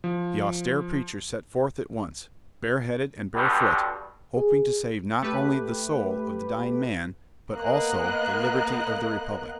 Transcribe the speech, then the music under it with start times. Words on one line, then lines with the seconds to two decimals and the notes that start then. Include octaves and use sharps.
The austere preacher set forth at once, bareheaded and barefoot, hoping to save not only the soul of the dying man but also the liberty of the republic.
0.04 F3
3.35 G2 B2 D3 F#3 G3
4.37 G#4
5.22 A3 G4 B4
7.54 A#3 B3 D#5 F#6